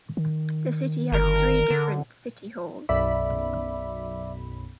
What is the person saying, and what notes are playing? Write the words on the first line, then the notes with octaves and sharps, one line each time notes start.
The city has three different City Halls.
D#3
G1 A#4
D3
B1 F#2 D5 E5 B5 D6